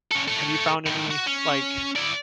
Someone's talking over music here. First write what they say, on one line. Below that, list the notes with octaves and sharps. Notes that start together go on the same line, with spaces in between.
Have you found any like
C#4 A4
A4 C#5
A2 D#3
F#4
C#4
E4 D5